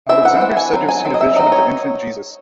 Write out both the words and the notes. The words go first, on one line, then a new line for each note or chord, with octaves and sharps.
Alexander is said to have seen a vision of the infant Jesus.
E3 C4 E5
F#5
E3 C4
G#5
F#3 C4
G#5
F#3 C4
D#5
E5
F#3 C4 D#4 D#5
C#5